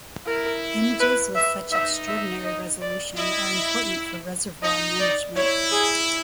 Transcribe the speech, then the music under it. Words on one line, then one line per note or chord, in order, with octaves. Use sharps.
Images with such extraordinary resolution are important for reservoir management.
E4 A#4
B4
E5
D#4 E5
E5
D#5
D5
E4 D#5
D#4 D#5
D5
E4 C#5
G#4